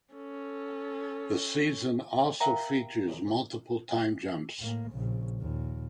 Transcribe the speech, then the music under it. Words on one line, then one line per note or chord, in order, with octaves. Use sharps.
The season also features multiple time jumps.
C#4 A4
A#4 C5 E5 F5 G5 A#5
A2 A#3
A#1 C#3
D#2 A#2